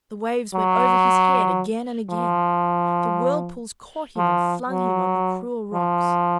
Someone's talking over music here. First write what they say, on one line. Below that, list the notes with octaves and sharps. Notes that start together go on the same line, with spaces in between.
The waves went over his head again and again, the whirlpools caught him and flung him on the cruel rocks.
F#3
F3
F3
F#3
F3